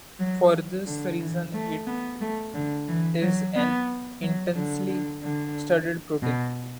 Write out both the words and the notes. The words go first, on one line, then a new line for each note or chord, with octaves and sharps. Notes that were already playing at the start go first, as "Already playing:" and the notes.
For this reason it is an intensely studied protein.
F#3
D3
E3
A3
B3
A3
D3
E3
F#3
B3
F#3
D3
D3
D3
B2